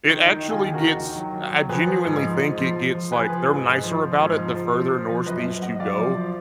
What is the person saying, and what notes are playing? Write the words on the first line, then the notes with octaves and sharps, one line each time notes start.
It actually gets I genuinely think it gets, like they're nicer about it the further Northeast you go.
D#3
D#3
D#2
F4 G#4
D#2
G#4
F#4 A#4
D#3
D#3
F#3
D#2
F#3
F3 G#4 B4
F3
G#2
F3
G#2
F3
F3
F3
F3 G#4 B4
F3
G#2
G#2
F3
F3
G#2
F3
F3
F3
F3
F3
F#2 B4 D#5
F#2
F#2 D#5 F#5
F#2 D5 F5
F3
F3